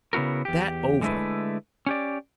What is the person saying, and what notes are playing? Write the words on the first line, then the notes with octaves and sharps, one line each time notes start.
That over!
C#3 B3 E4 F#4 A#4
E2 G4
D3 G#3 A3 E4 B4
C#4 G4 D5